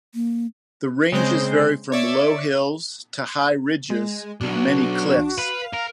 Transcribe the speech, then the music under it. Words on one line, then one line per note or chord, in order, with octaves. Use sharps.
The ranges vary from low hills to high ridges with many cliffs.
A#3
C#3 G#3 C4 C5
C#5 D5 E5
G#3
B1 D4 F#4
B4 F5
A#4